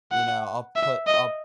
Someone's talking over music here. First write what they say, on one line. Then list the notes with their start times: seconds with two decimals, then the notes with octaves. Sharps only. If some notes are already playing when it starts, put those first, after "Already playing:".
you know, I'll put I'll
0.12 F#5
0.76 E5
1.07 D#5